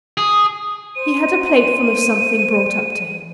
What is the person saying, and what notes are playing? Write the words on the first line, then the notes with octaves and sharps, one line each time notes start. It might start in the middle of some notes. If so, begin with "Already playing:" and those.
He had a plateful of something brought up to him.
G#4
C5 D#7